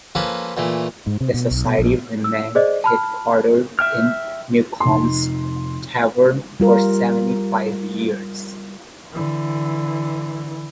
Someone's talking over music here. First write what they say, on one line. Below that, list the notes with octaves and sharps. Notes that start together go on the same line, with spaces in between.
The society remained headquartered in Newcom's Tavern for seventy-five years.
F3 A#3 C#4 A4 B4
A#2 E3 A3
G#2
C3
B2
B1
B2
A#1
E6
G#4 C5 D5 D#5
A5 B5 F6
E5 G5 F6
F1 D#4 C6
G3 F4 A#4
D3 E3